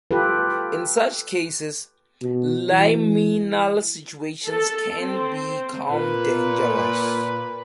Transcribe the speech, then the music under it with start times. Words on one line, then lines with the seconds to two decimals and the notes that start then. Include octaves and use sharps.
In such cases, liminal situations can become dangerous.
0.11 F4 G4 A4 B4
2.22 B2
2.69 E3
4.48 A4
4.99 C4
5.90 A#2 B4